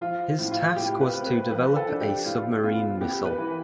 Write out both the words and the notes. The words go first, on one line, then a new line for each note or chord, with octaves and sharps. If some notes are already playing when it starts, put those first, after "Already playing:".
His task was to develop a submarine missile.
F3 F4
A2
F4
A2 G4
B4
C4
B4
F3 B4
A4
D4
G4
A2 F4
B3 F4
B3 G4
B4
E3